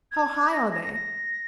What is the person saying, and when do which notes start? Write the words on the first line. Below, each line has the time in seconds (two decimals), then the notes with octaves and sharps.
How high are they?
0.12 G#6
0.52 A#6
0.72 A#6
0.83 A#6
0.94 A#6